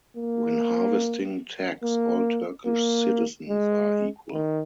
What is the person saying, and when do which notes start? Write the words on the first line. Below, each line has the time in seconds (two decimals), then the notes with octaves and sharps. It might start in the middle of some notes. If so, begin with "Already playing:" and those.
When harvesting tax, all Turkish citizens are equal.
0.17 A#3
1.83 A#3
2.66 A#3
3.49 G#3
4.33 D#3